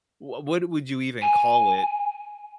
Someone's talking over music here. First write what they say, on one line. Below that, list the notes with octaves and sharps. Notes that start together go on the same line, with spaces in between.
wha what would you even call it?
G#5